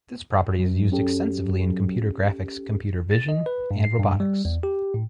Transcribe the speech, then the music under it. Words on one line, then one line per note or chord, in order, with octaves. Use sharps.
This property is used extensively in computer graphics, computer vision and robotics.
F#2
C#4 G4 A4
A6
D#5
B4
G2
C7
G2
G3
E2
G4
A2